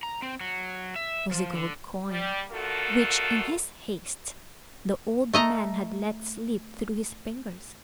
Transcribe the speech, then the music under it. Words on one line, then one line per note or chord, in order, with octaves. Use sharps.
It was a gold coin, which, in his haste, the old man had let slip through his fingers.
A#5
C4
F#3
E5
F3
D3
G3
D3 A3 F4 F#4 A4 A#4
A3 D#5 A#5